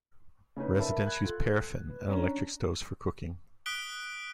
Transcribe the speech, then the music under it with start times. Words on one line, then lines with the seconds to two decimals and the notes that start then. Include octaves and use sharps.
Residents use paraffin and electric stoves for cooking.
0.56 C#3 C#4 D#4 B4
0.79 A#4 D5 E5 A5 B5
1.05 B5 F#6 G#6
1.23 F4 A4
1.89 B4
2.09 C#4 D4 A#5
3.66 D#6 F#6 B6 D7 G7